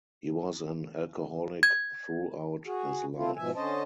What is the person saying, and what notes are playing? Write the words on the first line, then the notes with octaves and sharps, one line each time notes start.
He was an alcoholic throughout his life.
G#6
F#4 G#4
A3 C4 E4 F4
G#2 B2 F3 E5 G#5
D3 C#4 C5 D#5 A5